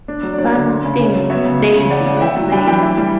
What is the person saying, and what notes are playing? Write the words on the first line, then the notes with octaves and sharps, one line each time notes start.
Some things stayed the same.
D4
F#3
D5
D4 C#5
D3
D2
C#3
C#4
F#3
B3 C#5 E5
C#3
C#2
C#3
C#4 D5 F#5
C#3
F#5
E4 E5 G5
F#3
D4 G5 B5
E3 G5 B5
E4
G3